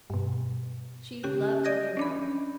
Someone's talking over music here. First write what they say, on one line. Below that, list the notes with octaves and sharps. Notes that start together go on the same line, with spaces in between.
She loved Nero.
G2 B2
C#3 C#4 G4 F#6
D5 D#5 G6 G#6 A#6
C#4 D4 B5